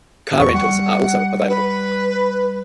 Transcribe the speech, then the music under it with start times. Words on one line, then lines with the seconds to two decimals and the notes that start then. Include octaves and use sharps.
Car rentals are also available.
0.39 E2 C#6
0.54 G3 F#5
1.49 B4